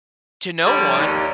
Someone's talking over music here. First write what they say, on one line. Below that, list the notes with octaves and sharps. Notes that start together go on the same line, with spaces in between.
to no one
D3 F3 G3 C#5 D5
D#2